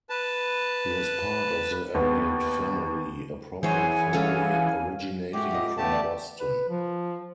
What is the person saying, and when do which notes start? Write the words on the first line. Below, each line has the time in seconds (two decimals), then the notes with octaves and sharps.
He was part of the Eliot family, a prominent family originating from Boston.
0.10 B4 A5
1.94 D#2 B3
3.63 E3 G#4 C5 C#5 F#5 G#5
4.13 C#4 A4 F5
5.33 G#3 F#4 G4 E5 F#5 D6
5.51 F2 G#3 D#5
5.78 C#3 A3 B3 G4 A5
5.92 D5
6.40 B4
6.69 F3